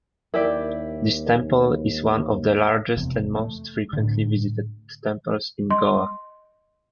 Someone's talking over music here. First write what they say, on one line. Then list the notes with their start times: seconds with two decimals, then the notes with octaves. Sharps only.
This temple is one of the largest and most frequently visited temples in Goa.
0.34 D#2 E4 G4 A#4 D5
2.96 F1 E2 C3
3.36 A3
3.93 A2 D3
5.70 D#5 C6